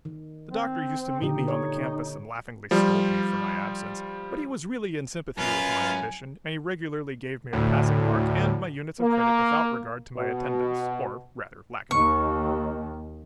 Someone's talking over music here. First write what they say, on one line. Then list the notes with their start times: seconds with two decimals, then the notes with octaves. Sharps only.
The Doctor used to meet me on the campus and laughingly scold me for my absence, but he was really in sympathy with my ambition and he regularly gave me a passing mark and my units of credit without regard to my attendance, or, rather, lack of it.
0.05 D#3
0.50 C4
1.21 A#2 D3 D#4 G4
1.48 C#5
2.71 F3 G3
5.38 F#2 F4 B4 F5 G#5
7.53 D2 A2
9.00 A#3
10.17 B2
11.91 D#2 C#6